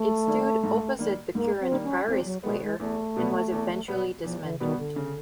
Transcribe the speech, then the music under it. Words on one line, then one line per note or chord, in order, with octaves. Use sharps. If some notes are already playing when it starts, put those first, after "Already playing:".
It stood opposite the current Priory Square and was eventually dismantled.
Already playing: A3
D#3 G3 A#3
G#2
D#3 G3 A#3
G#2 A#3
C4
D#3 G3 A#3
C#4
E2 C4
F#3
B2 G3 G#3 B3
G#3
E2 A3
B2 G3 B3
E2
B2 G3 B3
E2 F3
E3
B2 D#3 G3 B3
D3
C#3